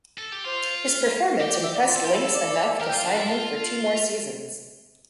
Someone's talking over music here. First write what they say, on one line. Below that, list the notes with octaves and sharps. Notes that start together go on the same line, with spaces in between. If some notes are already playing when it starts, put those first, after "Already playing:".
His performance impressed Lynx enough to sign him for two more seasons.
A4
G4
F4 C5
G4 D5
D5
E5
D5
F4
A4
F4 G4
E4
A4
D5
D5
D5
G4 A#4
G5
F4
F5
D4
A5
E4
F4 A5